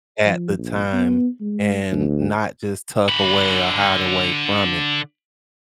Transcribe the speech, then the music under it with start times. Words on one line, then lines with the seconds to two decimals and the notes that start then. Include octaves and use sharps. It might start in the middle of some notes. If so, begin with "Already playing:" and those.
at the time and not just tuck away or hide away from it.
0.25 F3
0.58 A#1
0.93 B3
1.41 G#3
1.92 D2
3.09 D3 B5